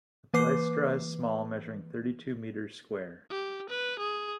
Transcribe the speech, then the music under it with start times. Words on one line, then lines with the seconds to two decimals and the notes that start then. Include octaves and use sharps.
The palaestra is small, measuring thirty-two metres square.
0.34 E3 A#3 B4 D6 C7
3.30 G4
3.70 B4
3.99 G#4